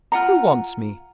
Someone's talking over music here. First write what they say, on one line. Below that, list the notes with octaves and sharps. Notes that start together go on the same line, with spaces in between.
"Who wants me?"
F4 F#5 A#5